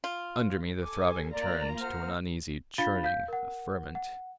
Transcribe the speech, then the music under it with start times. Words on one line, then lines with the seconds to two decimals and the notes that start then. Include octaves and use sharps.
Under me, the throbbing turned to an uneasy churning, a ferment.
0.04 F4
0.82 A4 G#5 D6
1.31 A#3 F4 D5 A#5
1.80 C5 F#5 F6
2.78 D4 F4 F5 B5 A6 G7
3.04 F5 G6
3.28 A#4 F#5
3.95 F#5